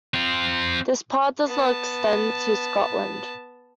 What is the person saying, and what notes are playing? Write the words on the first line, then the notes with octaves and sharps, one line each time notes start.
This Part does not extend to Scotland.
C4 F4
B3 A5